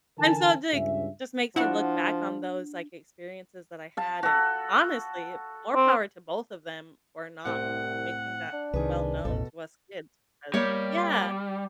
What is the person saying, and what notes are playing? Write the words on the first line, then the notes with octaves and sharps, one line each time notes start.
and so, d like, just makes me look back on those, like, experiences that I had, and, honestly, more power to both of them for not making that well known to us kids, because yeah.
D3 E3 A#4 G#5 A5
C#2 G2 C#4 G#4 E5
F3 D4 E4 F#4 F#5
F5 A5
F#4 A4
C4
C2 A2 C4 F#5
D4
C2 D#3 G#4 B4
A1 E2 B2 A4
G3 A#3 C#5